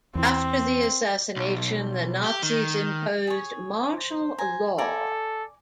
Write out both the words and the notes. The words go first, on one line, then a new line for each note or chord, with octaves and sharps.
After the assassination, the Nazis imposed martial law.
E2 E3 C4
B1
G4
D#3
G#4 C#5
C5
G#5 A#5
A4 D5 G#5 A#5